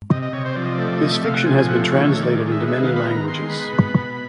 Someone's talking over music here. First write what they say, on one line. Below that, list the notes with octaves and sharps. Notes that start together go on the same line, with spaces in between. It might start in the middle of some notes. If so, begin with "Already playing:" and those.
His fiction has been translated into many languages.
C3 D#5
D#5
C3 C#5
C5
F3 D5
D#5
A3 D5
C3 D#5
E5
C3 F5
F#5
F3 G#5
G#5
A3 F#5
D#3 C#5
C#5
D#3
D5
G#3
E5
B3
E5
D#3 F5
B5
D#3 A#5
G#3 C6
B3 B5
B2
B2